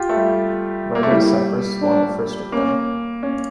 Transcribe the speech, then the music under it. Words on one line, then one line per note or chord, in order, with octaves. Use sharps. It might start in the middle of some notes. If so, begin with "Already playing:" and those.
Northern Cyprus won the first of them.
Already playing: F4 G4
A3
G3
A#3
A3
G3 E4
D4
A#3 C#4
C#4